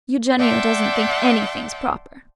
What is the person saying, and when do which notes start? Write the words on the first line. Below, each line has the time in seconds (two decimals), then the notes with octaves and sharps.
"Eugenio doesn't think anything's proper."
0.39 D5 E5 F#5 G5 A5 C6